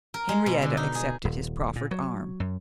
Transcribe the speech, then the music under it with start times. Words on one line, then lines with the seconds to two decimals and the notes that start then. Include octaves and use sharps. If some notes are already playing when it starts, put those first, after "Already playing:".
Henrietta accepted his proffered arm.
0.14 A#4
0.29 G#3
0.46 B2
0.62 D3
0.77 D#4
0.95 G#4
1.25 D#1
1.76 A#2
1.91 F#3
2.40 F#2